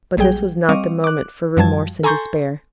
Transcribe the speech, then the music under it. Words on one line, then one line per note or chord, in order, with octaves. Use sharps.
But this was not the moment for remorse and despair.
A#1 F#3 G3 G#4 G5
G3 C4 D#5 F5 C#6 D6
D6 F#6
F#2 F3 G3 A5 G#6
A4 G#5 A#5 C6 C#6 G6